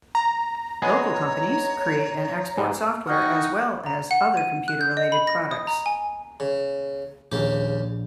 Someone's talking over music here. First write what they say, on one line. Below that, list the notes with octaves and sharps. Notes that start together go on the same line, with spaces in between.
Local companies create and export software as well as other computer-related products.
A#5
G#3 B3 G#4 C#5
G#2
D#4 F#4 F#5 G5 C#6 F6
A#5
F#5
D#7
F#6
G6
D#5
B5
A#6
D#6
A#5
G#5
C#3
A#1 D#2 C#3 G4